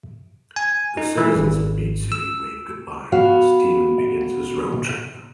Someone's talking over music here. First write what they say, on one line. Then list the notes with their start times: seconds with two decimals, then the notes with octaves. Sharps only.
The citizens of Beach City wave goodbye as Steven begins his road trip.
0.56 G#5
0.97 D#4
1.18 E3
1.35 G#1
2.12 E6
3.12 B3 F#4 F5